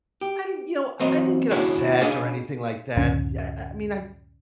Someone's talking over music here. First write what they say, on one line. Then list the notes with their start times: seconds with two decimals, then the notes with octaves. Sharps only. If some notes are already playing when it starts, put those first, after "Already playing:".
I didn't, you know, I didn't get upset or anything like that. Yeah, eh, I mean, I
0.21 G4
1.00 E3 F#3 C4 D#5
1.50 D#2 C#4 D4 E4 F#4 G#4
2.00 C#4 D4 G#4 D#5 F5
2.97 C#2 F#2 A2 D3 C#4